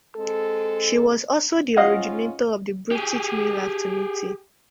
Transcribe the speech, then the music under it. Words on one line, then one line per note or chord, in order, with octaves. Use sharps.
She was also the originator of the British meal afternoon tea.
G#3 C4 A4
G#2 C#4 F4 D#5 F5 F#5
G4 G#4